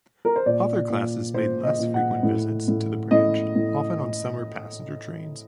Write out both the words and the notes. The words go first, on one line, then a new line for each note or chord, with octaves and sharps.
Other classes made less frequent visits to the branch, often on summer passenger trains.
A#4
C5
A#2 D5
A#2
A#2 C5
D#5
A#2
F#5
A2
A2
A2 D#5
A2